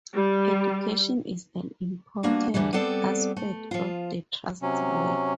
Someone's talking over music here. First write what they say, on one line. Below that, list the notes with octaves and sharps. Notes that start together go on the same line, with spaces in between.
Education is an important aspect of the Trust's work.
G3
G3 A#3 B3 D4 F#4
E2 G#2 D3 E3 G3
G3 B3 C4 A4 D5
A3
F3 F4
C3 F#3 C#4